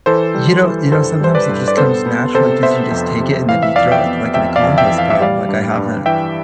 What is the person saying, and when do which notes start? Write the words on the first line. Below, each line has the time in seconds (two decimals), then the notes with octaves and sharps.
You know you know, sometimes it just comes naturally 'cause you just take it and then you throw it, like, in a compost pile. Like, I haven't
0.06 E3 A4 C5
0.35 G3
0.63 E3
0.92 G2 A4 C5
1.21 G3 C5
1.35 B4 D5
1.49 G2
1.68 D5
1.77 B3 A4 C5
2.06 B3
2.34 C3 A4 C5
2.63 B3 C5 E5
2.91 F2
3.20 C3
3.49 E3 F5
3.63 E5
3.76 F2 D5 F5
3.92 E5 G5
4.06 B3
4.34 F2 E5 G5
4.56 D5 F5
4.63 F2
4.78 E5 G5
4.92 E3
4.98 F5
5.10 E5
5.20 G3 D5 F5
5.49 G2
5.77 G2
6.06 E3 E5 G5